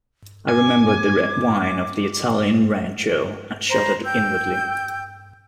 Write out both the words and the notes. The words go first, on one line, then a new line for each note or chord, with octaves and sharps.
I remembered the red wine of the Italian rancho, and shuddered inwardly.
G#5 D6
C5 A#5 B5
G5 E6 G6